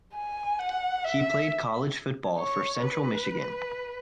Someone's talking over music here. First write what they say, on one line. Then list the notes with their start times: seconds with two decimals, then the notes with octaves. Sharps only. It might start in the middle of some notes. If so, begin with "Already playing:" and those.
He played college football for Central Michigan.
0.14 G#5
0.59 F#5
1.05 E5
2.39 C#5
2.84 B4